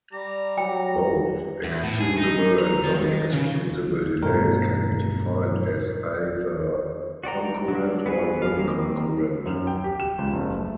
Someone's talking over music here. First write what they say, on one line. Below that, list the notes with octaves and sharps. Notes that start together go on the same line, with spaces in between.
Both excusable and non-excusable delays can be defined as either concurrent or non-concurrent.
G3 G4 A#5
F#3 G5
E2
A2
G#4
D#4
A#5
D#3
C#3
G2 B2 A3 A#4
F#4 D5 G5 A#5
F#3 D4
B3 F#4 G#4 B4
F3 F5
D#3 A#3 C4
F#2
G5
G4
E7
C#2
F#1
A3